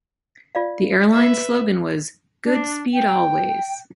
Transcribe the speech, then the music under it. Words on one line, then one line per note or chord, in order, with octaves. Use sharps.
The airline's slogan was "Good Speed Always".
F4 D5 F5
B4 E5
D4
G5